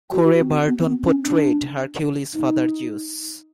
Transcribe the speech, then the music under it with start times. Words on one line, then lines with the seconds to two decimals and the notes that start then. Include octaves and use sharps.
Corey Burton portrayed Hercules' father Zeus.
0.11 F#4
0.39 C4
0.67 B3
0.85 C4
1.04 C#4
1.23 D4
2.33 D#4